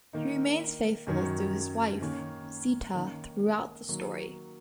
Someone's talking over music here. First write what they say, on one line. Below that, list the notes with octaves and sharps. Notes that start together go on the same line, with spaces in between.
He remains faithful to his wife Sita, throughout the story.
D#3 A#3 D#4
F#2 D#3 F#3 C#4
D#3 A#3 C#4
D#3 A#3 C#4
D#3 F#3 A#3